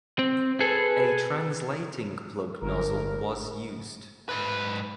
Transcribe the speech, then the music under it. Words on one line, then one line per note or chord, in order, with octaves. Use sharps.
A translating plug nozzle was used.
C4
G#4 A4 B4
G1 A#4
G#2 B4